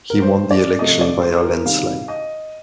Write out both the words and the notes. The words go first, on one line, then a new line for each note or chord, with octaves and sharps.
He won the election via landslide.
A#4
C5
D5
C3 F3 A3 D#5
D5
C5
A4
A#4
C3 D#3 G3 F5
D#5